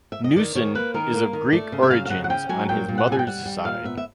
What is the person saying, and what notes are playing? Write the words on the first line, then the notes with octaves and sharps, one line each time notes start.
Newson is of Greek origins on his mother's side.
E5
D#5
D#3 D5
D#3 C#5
A#3 B4
D#3 A#4
A#3
D#3
A3 D5
C#3
E5
F#3 F5
F5
C#3 F#5
F#5
C#4 G5
F#3 G#5
A#2 G5
A#2
F#5
G3 G#5
G5
G3 F#5
G3
A#2 F5
B3 E5
E5